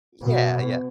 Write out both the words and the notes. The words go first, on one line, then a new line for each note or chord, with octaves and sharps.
Yeah, yeah.
B2